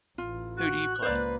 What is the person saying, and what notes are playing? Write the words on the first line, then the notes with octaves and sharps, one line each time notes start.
Who do you play?
A1 A2 F4
F#4 F#6
C#2 A#3 B4 C5 D5